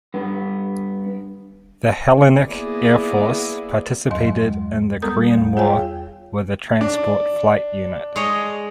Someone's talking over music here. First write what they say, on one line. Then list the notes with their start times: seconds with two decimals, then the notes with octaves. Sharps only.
The Hellenic Air Force participated in the Korean War with a transport flight unit.
0.14 G2 B3
2.45 A#3 B3 E4 G#4 B4 D5
4.10 E2 G2 F#3 D#5 C6
4.44 G#3
5.02 G3 B3 A4 A#4 D#6 G6
5.37 E2
5.57 F4 G#4 C#5 F5 G5 G#5
6.81 D4
8.16 G#3 C#5 D#5